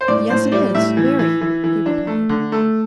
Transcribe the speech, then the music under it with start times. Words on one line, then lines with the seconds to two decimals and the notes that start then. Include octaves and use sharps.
'Yes, it is, very,' he replied.
0.01 C5
0.08 A2 D5
0.30 A2 C5
0.52 G3 D5
0.75 A2 E5
0.97 E3
1.19 E3
1.41 E3
1.64 E3
1.86 D4
2.07 A3
2.30 D3
2.52 A3